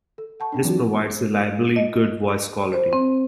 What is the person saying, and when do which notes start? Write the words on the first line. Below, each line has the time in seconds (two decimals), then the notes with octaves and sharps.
This provides reliably good voice quality.
0.18 A4
0.40 F#5 A5 C#6
0.52 B3 C#4 D4
0.64 E3 F#3 C4 D#4 F4 F#4
1.76 D#5
2.73 C5
2.93 C4